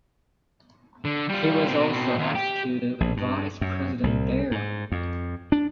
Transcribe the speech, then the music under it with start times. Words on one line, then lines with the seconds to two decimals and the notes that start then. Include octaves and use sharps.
He was also executive vice president there.
1.05 D3
1.29 G3 F4
1.68 B2 C4
2.18 D#2 F4
2.35 G4
3.00 A#1
3.17 G2
3.61 F#2
4.04 C2
4.51 G#2
4.92 F2
5.52 D4